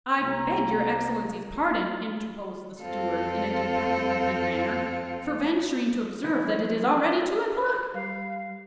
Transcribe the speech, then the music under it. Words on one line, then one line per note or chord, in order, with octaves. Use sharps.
"I beg your excellency's pardon," interposed the steward in a deprecating manner, "for venturing to observe that it is already two o'clock."
C2 A#3 A#5
F2 C4 F4 A4
E3 F3 E4
G3 F5